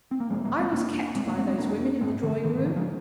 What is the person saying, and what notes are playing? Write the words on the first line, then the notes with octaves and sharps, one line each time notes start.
'I was kept by those women in the drawing-room.
C4
A#3
F2 C3 F3 G#3
G3 A#3
G#3 C4
F2 C3 A#3 D4
F2 C3 G#3 C4
A#3 D4
G#3 C4
G#3 C4
F2 C3 A#3 D4
G#2 G#3 C4
D3 F3
G#2 D#3
D#3
D3 F3
F3 G#3